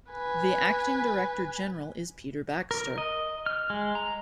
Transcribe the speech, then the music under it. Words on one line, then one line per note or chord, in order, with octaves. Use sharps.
The Acting Director General is Peter Baxter.
B4 G#5
A#4
D#5
F6
G#3
A#5